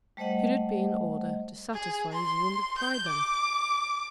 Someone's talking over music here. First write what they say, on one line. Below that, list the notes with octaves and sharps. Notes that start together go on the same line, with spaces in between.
Could it be in order to satisfy his wounded pride, then?
G3 A3 C5 D#5 F#5
G#4
C6
G6
D6